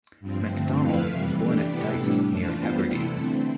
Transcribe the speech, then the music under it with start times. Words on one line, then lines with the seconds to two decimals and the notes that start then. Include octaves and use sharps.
Macdonell was born at Dyce near Aberdeen.
0.20 G2 F3 C4
0.50 G2 D3 A3 C4
0.80 F3 A3 E4 B4 F5
1.10 C3 E3 G3
1.39 E3 A3 D4 G4
1.69 C3 E3 B3 E4 A4
1.99 A2 G3 D4
2.29 E3 A3 D4 F4 A4
2.58 G3 B3 F4 C5
2.88 C3 E3 A3 E4 A4
3.18 D3 A3 C4